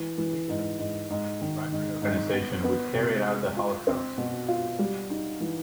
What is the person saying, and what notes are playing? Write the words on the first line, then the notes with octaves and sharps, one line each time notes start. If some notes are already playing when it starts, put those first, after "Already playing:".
In particular, it was the primary organization which carried out the Holocaust.
Already playing: E3
E3
G#2
G#2
G#2
D#3
G#2
G#2
B3
B3
C3
G#3
F4
C4
B2
F4
G3
D#4
E3